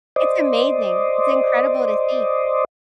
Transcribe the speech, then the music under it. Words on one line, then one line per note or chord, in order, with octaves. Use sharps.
It's amazing, it's incredible to see.
C5 D5 D#5